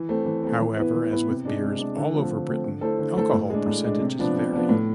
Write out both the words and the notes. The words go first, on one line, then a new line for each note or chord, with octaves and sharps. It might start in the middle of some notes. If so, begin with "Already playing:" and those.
However, as with beers all over Britain, alcohol percentages vary.
Already playing: E3
A3 C4
E3
A3 C4
E3
B3 E4 B4
E3
B3 E4 B4
C3
G#3 D4
C3
G#3 D4
D3
F3 A3 C4
D3
F3 A3 C4
D3
A3 E4 A4 C5
D3
A3 E4 A4 C5
A2
G#3 D4
A2
G#3 D4
C3
F3 B3 D4
C3
F3 B3 D4
A2